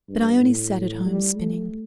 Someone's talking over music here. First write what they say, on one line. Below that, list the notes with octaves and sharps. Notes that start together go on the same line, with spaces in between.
But Ione sat at home spinning.
G2
A2
G3
A3